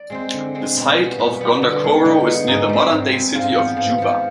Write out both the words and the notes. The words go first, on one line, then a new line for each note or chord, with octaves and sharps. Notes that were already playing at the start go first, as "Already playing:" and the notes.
The site of Gondokoro is near to the modern-day city of Juba.
Already playing: D5
G#3 C4 C5
D3
G#3 C4
B2
G3 B3
B2 B4
G3 B3
D3
G#3 B3
D3 D#4
G#3 B3
G#2 D#4
G3 C4
G#2
G3 C4
G#2 F4
F3 B3
G#2
F3 B3